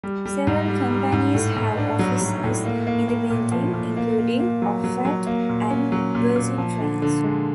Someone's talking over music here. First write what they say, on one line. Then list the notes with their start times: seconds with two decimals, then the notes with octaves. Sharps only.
Several companies have offices in the building, including Ofwat and Virgin Trains.
0.03 G3
0.25 G3
0.47 G#2
0.68 G3
0.91 G3
1.12 G#2
1.35 A2
1.56 A2
1.78 D4
1.99 F#3
2.21 F#3
2.44 A2
2.65 A#3
2.87 A#3
3.08 A#3
3.30 A#2
3.52 F3
3.74 A#2
3.97 A#3
4.18 A#3
4.40 A#3
4.62 F#3
4.84 F#3
5.05 F#3
5.27 A#3
5.49 A#2
5.70 C#4
5.92 F#3
6.15 A#2
6.36 A#2
6.58 F3
6.80 D3
7.02 D3
7.24 G#3